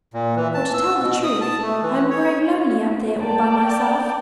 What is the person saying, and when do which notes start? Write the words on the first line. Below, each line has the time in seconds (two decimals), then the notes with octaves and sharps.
For to tell the truth, I am growing lonely up there all by myself.
0.13 A#2
0.36 E3
0.54 A5
0.74 E6
1.02 B2
1.24 D#6
1.41 A5
1.63 A3
1.83 E3
2.10 C#5
3.20 D5 G5 A5